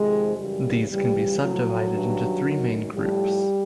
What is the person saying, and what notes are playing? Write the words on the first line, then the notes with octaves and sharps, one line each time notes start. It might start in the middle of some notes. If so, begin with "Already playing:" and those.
These can be subdivided into three main groups.
Already playing: F2 C3 D#3 G#3
F#2 C#3 E3 G3
E2 C#3 F3 G3
A2 F3 F#3
G2 D#3
F#2 D#3
A2 F3 G3